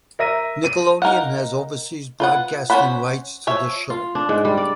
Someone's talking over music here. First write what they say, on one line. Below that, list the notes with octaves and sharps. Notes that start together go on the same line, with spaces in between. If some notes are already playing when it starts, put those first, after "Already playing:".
Nickelodeon has overseas broadcasting rights to the show.
A#4 E5 A#6 D#7
D#7
D#4 A#4 F5 F#5
F4 B4 F#5
C#4 A#4 C5 F#5 B5
F3 C#5 E5
F4
D4
G#2
G3
D5